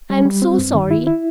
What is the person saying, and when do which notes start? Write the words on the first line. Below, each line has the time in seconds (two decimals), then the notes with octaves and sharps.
I'm so sorry.
0.10 G3
0.25 G3
0.42 C4
0.59 G2
0.74 D#3
0.91 E4
1.07 E4